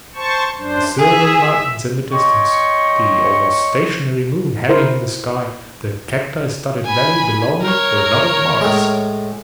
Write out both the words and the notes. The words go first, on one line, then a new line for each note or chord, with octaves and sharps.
The silvered mountains in the distance, the almost stationary moon hanging in the sky, the cacti-studded valley below me were not of Mars.
C5 A5 C#6
F#2 D4 C5
G#4 E5
C#5 D#5 G5 C6 C#6
E4 A#4 C5
G#5 B5
A#4 C#5
A2 G#3